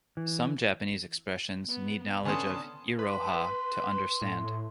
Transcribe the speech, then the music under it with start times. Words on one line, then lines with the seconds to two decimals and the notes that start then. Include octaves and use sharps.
Some Japanese expressions need knowledge of "iroha" to understand.
0.17 E3
1.69 B3
2.25 D3 B3 C#4 G#5 A5 C6 D#6
2.99 B4 C6
4.21 A2